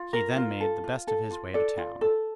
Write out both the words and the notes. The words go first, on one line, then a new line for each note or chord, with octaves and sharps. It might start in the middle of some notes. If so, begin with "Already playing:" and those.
He then made the best of his way to town.
Already playing: F4
A#4
F4
A4
F4
A4
F4
A4 D5
F4
A4